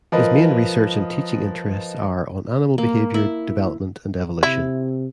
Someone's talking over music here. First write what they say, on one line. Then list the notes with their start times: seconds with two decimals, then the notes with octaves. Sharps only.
His main research and teaching interests are on animal behaviour, development, and evolution.
0.12 F3 A#4 B4 D#5
2.78 A#3
3.14 E4
4.43 C3 E4